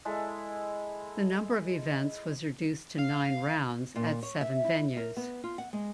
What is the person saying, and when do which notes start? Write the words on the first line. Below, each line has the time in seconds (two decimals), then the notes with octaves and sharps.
The number of events was reduced to nine rounds at seven venues.
0.05 G#3 E4 A4
2.99 F5
3.96 A#2
4.23 C#5
4.41 E5
4.64 E4
4.97 A#4
5.17 B3
5.44 F4
5.58 F#5
5.73 G#3